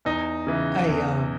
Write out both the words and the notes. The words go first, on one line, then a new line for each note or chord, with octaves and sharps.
I, um,
E2 D#4
C#3 E3
E2